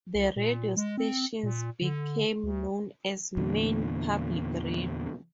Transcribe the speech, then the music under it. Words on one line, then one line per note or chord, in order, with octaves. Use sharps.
The radio stations became known as "Maine Public Radio".
C2
A#2
G#3
C4
A#2
D3
D2
E2 A#2 D3